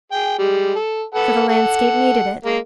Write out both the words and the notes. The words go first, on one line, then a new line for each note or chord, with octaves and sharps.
For the landscape needed it.
G#4 G5
G3 G#3
A4
A4 B4 F#5
A4 F#5
G#3 A#3 A#4